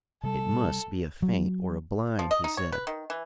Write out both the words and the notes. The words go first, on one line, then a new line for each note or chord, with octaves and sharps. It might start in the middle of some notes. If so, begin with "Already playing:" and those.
"It must be a feint or a blind," he said.
C3 G3 A4
F#3
F3
D#5
D#4
C#5
B4
D#3
E3